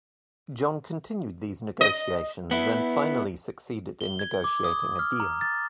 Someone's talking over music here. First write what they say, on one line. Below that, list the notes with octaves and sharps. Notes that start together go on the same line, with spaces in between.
John continued these negotiations and finally succeeded in negotiating a deal.
D#5
B3 E4
G7
G#6
D6
D#6
F6
A#5
A6